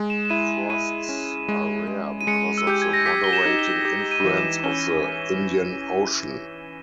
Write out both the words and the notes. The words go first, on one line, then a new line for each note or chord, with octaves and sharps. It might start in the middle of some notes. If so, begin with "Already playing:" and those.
Frosts are rare because of the moderating influence of the Indian Ocean.
Already playing: G#3
E7
E7
E4 D#7
E4 D#7
C#4
G#3
G#3
D#7
G#3 C#7
E6
G4 G6
G#6
A#6
G4 B6
G7
E7
D#4
G7
G4
D#7
E3
E7
C#4 G7